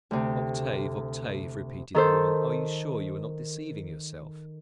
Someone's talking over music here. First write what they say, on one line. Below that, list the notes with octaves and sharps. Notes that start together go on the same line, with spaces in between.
"Octave, Octave," repeated the woman, "are you sure you are not deceiving yourself?"
D2 C3
D#3 A4 C5